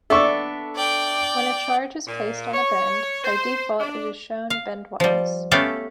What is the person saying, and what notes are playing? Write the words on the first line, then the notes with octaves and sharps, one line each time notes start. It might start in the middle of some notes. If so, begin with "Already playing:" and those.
When a charge is placed on a bend, by default it is shown bendwise.
B3 D4 A4 E5 C#6 E6
D5 G5
A#2
C#5
C5
D4
F5
F3 G3
A3 B3 C#4 G4 A4 F5